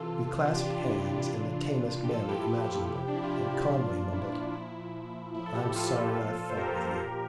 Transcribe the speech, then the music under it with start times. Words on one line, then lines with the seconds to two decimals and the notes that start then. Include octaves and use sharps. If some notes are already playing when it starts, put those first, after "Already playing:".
We clasped hands in the tamest manner imaginable, and Conway mumbled, "I'm sorry I fought with you."
Already playing: C3 E3 F4 A4
0.45 C3 E3 D4 F4
0.55 G4
0.66 D4 F4
0.78 D4
0.86 E4
1.22 G4
1.26 C3 E3 D4 F4
2.04 G4
2.08 A#2 F3 F4 A4
2.28 E4 G4
2.90 C3 F3
3.08 D4
3.15 E4
3.23 F4
3.31 E4 G4
3.72 A#2 F3 D4 F4
4.02 F4
4.13 E4
4.23 D4
4.32 E4
4.53 A#2 F3 E4
5.34 A2 F3 E4
5.46 A4
5.55 E4 G4
5.76 F4 A4
6.17 A#2 F3
6.50 C5
6.57 G4 A#4
6.98 A#2 F3